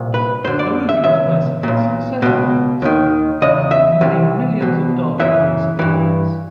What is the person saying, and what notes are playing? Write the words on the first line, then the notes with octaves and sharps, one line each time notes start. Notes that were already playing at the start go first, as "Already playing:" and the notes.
The route was massively successful its time, moving millions of dollars in supplies.
Already playing: C2 A#2
B4
F#2 D3 C5
D5
E5
C#2 B2 E5
B1 A#2
C#2 B2
D#2 D#3
E2 C#3 D#5
E5
C2 C3 E3
C2 B2
F#2 C#3 E3 E5
G2 E3